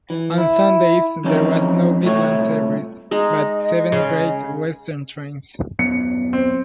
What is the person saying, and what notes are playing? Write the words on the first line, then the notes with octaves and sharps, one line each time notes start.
On Sundays, there was no Midland service, but seven Great Western trains.
E3
E4
F2 E3 G#3 C#4 D#4
C2 A#2 F#3 A3 C#5
G#3 D#4 D#5
C#3
D#1 F#2 B3 C#7
C4